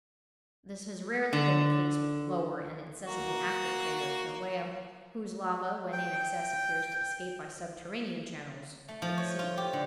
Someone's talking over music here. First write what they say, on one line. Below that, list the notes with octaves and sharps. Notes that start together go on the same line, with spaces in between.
This has rarely been the case with the lower and incessantly active crater of Kilauea, whose lava, when in excess, appears to escape by subterranean channels to the sea.
D3
A#3 F#4
G5
A3
F3
C#5
F4
G4
D3